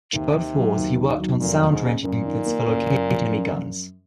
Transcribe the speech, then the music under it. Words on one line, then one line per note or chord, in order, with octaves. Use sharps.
During both wars he worked on sound ranging methods for locating enemy guns.
D#2 C3
D#3
F#3
D#2
D#3
F#3
F1 A#2
D#2
G#2
C#3
F#2 A#2
D#3
A#3
F#1
F#2
F3
F#2